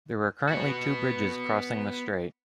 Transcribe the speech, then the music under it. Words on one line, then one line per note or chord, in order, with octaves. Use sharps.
There are currently two bridges crossing the strait.
B3 F#4